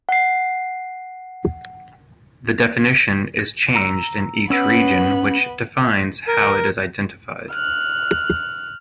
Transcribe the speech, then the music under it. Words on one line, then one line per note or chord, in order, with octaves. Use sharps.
The definition is changed in each region which defines how it is identified.
F#5 C7
A#5 E6
B3 C#4 B5 E6
A#4
F6 F#6